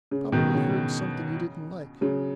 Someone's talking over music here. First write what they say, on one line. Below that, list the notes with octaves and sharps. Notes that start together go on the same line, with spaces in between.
Probably heard something he didn't like.'
C#3
B2 D#3
C#3
C#3 F#3